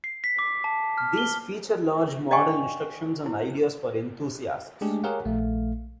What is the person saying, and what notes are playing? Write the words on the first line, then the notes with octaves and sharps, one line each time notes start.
These feature large model instructions and ideas for enthusiasts.
C7
B6
D6
A5
F6
G7
D5 D#5 F5 G5 G#5 C#6
E4
G#3 A3 D4 G4 G#4
G4 G#4 A#4 C#5 F5 F#5
A#1 A3 F5